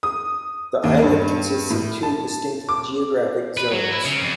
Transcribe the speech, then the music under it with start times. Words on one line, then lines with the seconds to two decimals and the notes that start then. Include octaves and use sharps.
The island consists of two distinct geographic zones.
0.03 D#6
0.83 D#2
1.02 G2
1.70 A2
2.03 A5
2.69 D6
3.57 B4
3.72 F#3
3.91 E4
4.05 C#3
4.22 F2